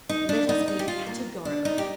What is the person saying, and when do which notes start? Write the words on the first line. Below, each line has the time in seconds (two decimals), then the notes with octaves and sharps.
Let us be categorical.
0.09 D#4
0.29 D4
0.49 D#4
0.68 D#4
0.79 G4
0.88 F4
1.07 A#3
1.45 D4
1.65 D#4
1.78 G4